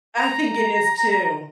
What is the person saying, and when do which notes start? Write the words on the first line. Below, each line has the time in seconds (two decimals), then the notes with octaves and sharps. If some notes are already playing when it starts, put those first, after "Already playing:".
I think it is too.
0.16 A#5